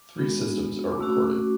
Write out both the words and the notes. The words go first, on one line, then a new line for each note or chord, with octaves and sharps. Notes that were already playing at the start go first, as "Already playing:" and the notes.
Three systems are recorded.
Already playing: D6
G#3 B3 D4 F#4
D6
A3 C#4 F#4 E6
D6